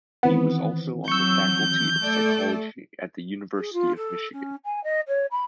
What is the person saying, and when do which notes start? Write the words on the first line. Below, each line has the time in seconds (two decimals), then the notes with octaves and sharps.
He was also on the faculty of psychology at the University of Michigan.
0.23 D#3 E3 B3 C4
1.08 F#3 C#6 E6 G6
2.03 A3 A4 D5
3.57 G#4
3.73 F4
3.96 A4
4.33 C#4
4.64 G#5
4.84 D#5
5.07 C#5
5.31 B5